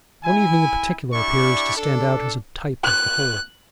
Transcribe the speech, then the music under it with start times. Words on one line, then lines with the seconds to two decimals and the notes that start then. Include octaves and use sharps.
One evening in particular appears to stand out as a type of the whole.
0.24 E4 G#5
1.13 D4 E4 G4 D5 C#6
1.77 D4 A4
2.84 F#6